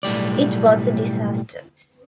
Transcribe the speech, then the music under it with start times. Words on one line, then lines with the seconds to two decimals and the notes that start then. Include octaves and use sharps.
It was a disaster.
0.03 B1 A2 G3 D5